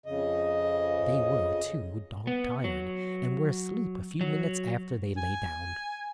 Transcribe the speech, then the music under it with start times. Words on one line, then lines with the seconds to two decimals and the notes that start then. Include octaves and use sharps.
They were, too, dog-tired, and were asleep a few minutes after they lay down.
0.06 F2 C#3 D#5
2.27 B3
2.64 F#3
4.21 F#3
5.17 G#5